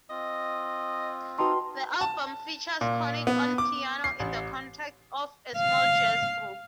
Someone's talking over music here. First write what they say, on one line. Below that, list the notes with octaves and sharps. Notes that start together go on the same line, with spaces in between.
The album features Connick on piano in the context of a small jazz group.
C4 F4 D#5
D#4 F#4 B4 G5 A5 C6
A5
A#2
B3
D6
C7
A1
F5